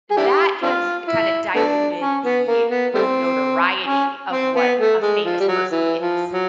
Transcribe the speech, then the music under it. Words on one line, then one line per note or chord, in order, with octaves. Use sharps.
That has kinda diluted the the notoriety of what a famous person is,
G#4
D4 E4 G4
C4 D4 F4
E4
A3 B3 D4
C#4
B3
A#3
B3
G3 A3 C4
C#4
C4
B3
A3
G#3
F3
G3
F#3
E3
F3
F#3